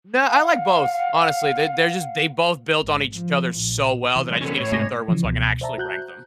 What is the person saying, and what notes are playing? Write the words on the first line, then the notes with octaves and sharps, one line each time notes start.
No, I like both, honestly, they they're just they both built on each other so well that I just need to see the third one so I can actually rank them.
F5 F#5
G#1
F3
A#1
C3 E3
A#2 F#3 G#3
F#2 D3 B3 C#4
A2 C#5
G#2 C3 A3 A#6
C#3 E3 F3
C#2 B2
C5 D5 E5 A5 A#5
F#4 F#6 G6